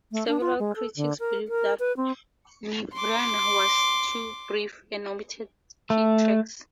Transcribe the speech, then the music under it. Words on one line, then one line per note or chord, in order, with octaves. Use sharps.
Several critics believed that "Nirvana" was too brief, and omitted key tracks.
A3
D4
F4
G#3
A4
D3
A#4
A#4
B4
C4
C6 D6
A3